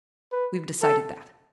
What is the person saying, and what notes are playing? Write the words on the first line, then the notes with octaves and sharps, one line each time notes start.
We've decided that.
B4
A4